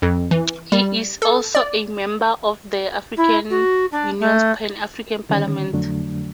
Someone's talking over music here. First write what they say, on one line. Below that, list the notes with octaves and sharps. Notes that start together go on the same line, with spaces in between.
He is also a member of the African Union's Pan-African Parliament.
F2
E3
G3
A4
D5
E4
F#4
D4
A3
D3 D#3 G3 C#4
F2 D3 F#3 A3 D4